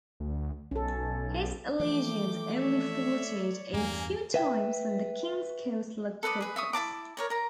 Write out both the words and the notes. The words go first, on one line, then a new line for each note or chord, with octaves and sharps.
His allegiance only faltered a few times when the king's cause looked hopeless.
D2
B1 C#4 A4
E3 F3 A3 G5 D6
C#5 D5 E5
E2 G2 G3 A#3 G#5
B4 E5 G5
A4 B4 D5 D#6
G#4 B4
E5 C#6 D#6
E4 C5 A5 D6
A#4 C#5 D5
A#4 A#5